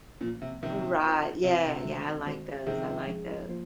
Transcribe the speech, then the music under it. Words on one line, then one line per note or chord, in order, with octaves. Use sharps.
Right. Yeah, yeah, I like those, I like tho
A#2 F3 A#3 C#4
C3
C3 D#3 F3 A#3 C#4
C4 F4 C5
C3 C4 F4 C5
C3
D#3 G#3 C4 F#4 C5
D#3 G#3 C4 F#4 C5
C3 D#3 F3 G#3 C#4 G#4
F3 G#3 C#4 G#4
F3 A#3 F4 C5